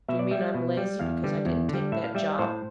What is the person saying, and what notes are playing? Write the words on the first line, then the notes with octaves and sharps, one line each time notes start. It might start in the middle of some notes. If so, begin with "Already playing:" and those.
"Do you mean I'm lazy because I didn't take that job?"
B2 E5
D5
G3 E5
B2
G3
E2 F5
D3 G3
E2
D3
G3
A2 E5
F5
G3 E5
A2 C5